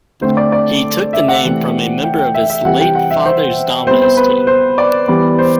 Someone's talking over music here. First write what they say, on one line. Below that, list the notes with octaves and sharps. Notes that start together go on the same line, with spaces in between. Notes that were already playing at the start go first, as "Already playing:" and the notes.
He took the name from a member of his late father's dominoes team.
D3 A3 C4 C5
D5
D5
E5
F#5
C3 E3 A3 C4
G5
G5
E5
E5
C3 E3 G3 C4 F#5
G5
F#5
E5
C5
C3 G3 B3 C5
C5
B4
C5
D5
E3 G3 B3
C5